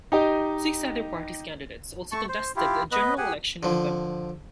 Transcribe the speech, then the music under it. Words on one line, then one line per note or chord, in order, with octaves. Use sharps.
Six other parties' candidates also contested the general election in November.
D#4 G4 D#5
A3 A5 C#6
C5
E4 F4 G4
B3 B4 D#5
G4 G#4 F#5 G#5
D3 F3